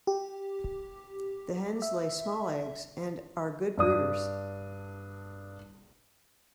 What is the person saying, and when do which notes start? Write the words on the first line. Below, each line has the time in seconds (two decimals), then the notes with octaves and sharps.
The hens lay small eggs and are good brooders.
0.07 G4
1.82 E5
3.78 G2 D4 D#6